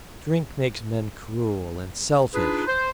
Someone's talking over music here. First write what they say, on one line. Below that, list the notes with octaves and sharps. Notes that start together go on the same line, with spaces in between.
Drink makes men cruel and selfish.
D4 D#4 F4 G#4 B4
C5